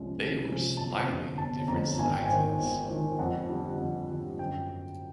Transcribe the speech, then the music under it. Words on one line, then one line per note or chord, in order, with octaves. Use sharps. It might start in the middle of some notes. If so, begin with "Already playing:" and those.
They were slightly different sizes.
Already playing: C2 C3 F3 G#3 C#4
C2
C3 F3 G#3 C#4
G1 A5
F2 D3
G1 A5
F2 D3 A#5
G#1 G#5
G5
G#2 D#3 G#5
G#1
G#2 D#3
F2 F#5
D3 G3
F2
D3 G3
F#2 G5